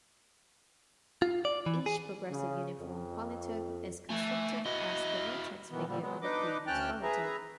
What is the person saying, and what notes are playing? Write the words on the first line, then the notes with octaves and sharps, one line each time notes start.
Each progressive uniform polytope is constructed as the vertex figure of the previous polytope.
F4
D5
E3
G#4
C#3
F2
A3 E5 G#5
E4 F#4 D#5
B2 D#3 E3 B3
A#2 D3 F3 G3
F#3 G#3 B3
D4 D#4 B4 D#5 D6
D2 C#4 G5 A5 F6 F#6
G#4 B4 E5 A#5